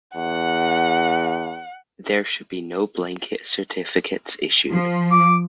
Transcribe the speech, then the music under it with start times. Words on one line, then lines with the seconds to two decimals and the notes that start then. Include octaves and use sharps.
There should be no blanket certificates issued.
0.16 E2 F#5
4.70 F3
5.11 D6